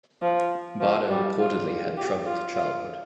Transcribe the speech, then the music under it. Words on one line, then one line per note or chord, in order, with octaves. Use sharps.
Bardo reportedly had a troubled childhood.
F3
F3
G3
F4
G4
F4
F4